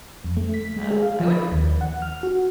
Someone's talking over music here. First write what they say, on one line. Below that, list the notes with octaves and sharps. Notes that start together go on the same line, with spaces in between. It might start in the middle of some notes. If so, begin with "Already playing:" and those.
Um, I wouldn't, like,
F2
A3
B6
G#3
G#4
F5
F3
B5
D#2
F#5
F6
F#4